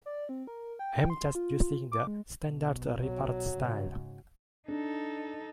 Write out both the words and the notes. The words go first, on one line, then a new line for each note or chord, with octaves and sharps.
I'm just using the standard report style.
D5
C4
A#4
G5
C6
F4
D6
G#3
B1 B2
F#3
G#2 C#3
D4 D#4 A4